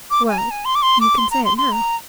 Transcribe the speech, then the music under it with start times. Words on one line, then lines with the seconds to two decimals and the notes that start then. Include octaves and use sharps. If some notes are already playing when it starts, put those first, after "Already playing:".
"Well;--you can say it now."
0.11 D6
0.29 G#5
0.38 A#5
0.51 G#5
0.65 C6
0.75 D6
0.82 C6
1.01 D6
1.18 C6
1.31 A#5
1.45 C6
1.58 C6
1.72 A#5